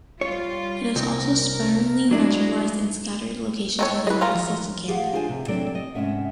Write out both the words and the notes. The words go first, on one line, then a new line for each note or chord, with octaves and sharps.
It is also sparingly naturalized in scattered locations in the United States and Canada.
G3 F4 C#5
C2 A#4
F#3 G#3 A#3 D4 E4
D#3 A4 C#5
E4 G#4 B4 D#5
A3 F4 A#4 F5
F3 F#3
F3 G4 G#4 F5 F#5
D4 F4 G#4 C5 E5 G#5
C3
F#3 C4 D4 G4 A4 D5
D#5
G#2 C3 C#4 E5 F#5